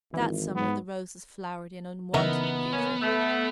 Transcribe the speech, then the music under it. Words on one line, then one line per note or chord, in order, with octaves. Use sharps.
That summer the roses flowered in unwonted beauty.
G#1 E3
G#2 B3
C#3 E3 B3 D#4 A#4 E5
A#3 C#4
A3